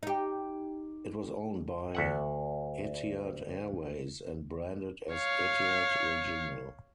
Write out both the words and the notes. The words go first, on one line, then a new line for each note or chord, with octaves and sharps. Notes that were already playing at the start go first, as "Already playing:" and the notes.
It was owned by Etihad Airways and branded as Etihad Regional.
D#4 G4
D2 E5 F#5
C#5 F5